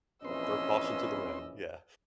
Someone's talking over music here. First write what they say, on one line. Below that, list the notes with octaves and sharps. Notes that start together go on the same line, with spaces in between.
Like, throw caution to the wind, yeah.
A#1 E3 C4 C#4 B4 D#5 C6 E6